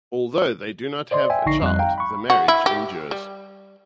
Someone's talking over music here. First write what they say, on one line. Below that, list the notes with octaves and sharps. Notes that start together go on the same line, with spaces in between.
Although they do not have a child, the marriage endures.
C5 D5 D#5 C6
E5 G5 G#5
A#1 D3 D#4 C#6 A#6 C7
F2 G3 D#5 F#6
F5 G5 A#5
B5 C#6
F#4
E4
G4
G3